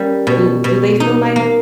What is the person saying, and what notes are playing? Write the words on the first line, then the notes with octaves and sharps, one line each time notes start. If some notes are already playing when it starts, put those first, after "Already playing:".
do do they feel like
Already playing: G3 A#3 C#4
B2
B2
D#4
A#3